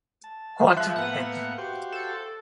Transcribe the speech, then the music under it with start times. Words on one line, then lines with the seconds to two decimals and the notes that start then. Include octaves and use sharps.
Huot et.
0.24 A5
0.77 F3 G#3 E5 F5 F#6
0.96 A2 A#3 B3 B4 F#5
1.58 F#4 G4 C5
1.92 A4